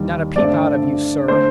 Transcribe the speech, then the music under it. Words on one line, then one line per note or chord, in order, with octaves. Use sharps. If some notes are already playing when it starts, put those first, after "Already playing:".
Not a peep out of you, sir.
Already playing: D#2 D#3 G3
G2 D3 A3 C4 D5
D3 A3 C5